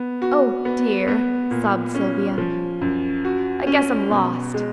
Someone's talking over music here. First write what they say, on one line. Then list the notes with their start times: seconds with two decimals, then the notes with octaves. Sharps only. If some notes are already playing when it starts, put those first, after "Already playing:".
"Oh, dear," sobbed Sylvia, "I guess I'm lost."
Already playing: B3
0.22 F#4
0.65 B3
1.08 B3
1.51 A#2
1.95 C#4
2.38 F3
2.81 F#2
3.25 F#4
3.67 C#4
4.10 B2
4.54 G#3